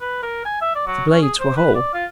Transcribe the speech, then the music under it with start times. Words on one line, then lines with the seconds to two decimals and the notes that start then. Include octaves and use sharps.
The blades were whole.
0.01 B4
0.23 A#4
0.45 G#5
0.61 E5
0.75 D5
0.87 F#3
1.10 C#4
1.22 G#4
1.40 C5
1.57 B4
1.74 D5
1.94 F4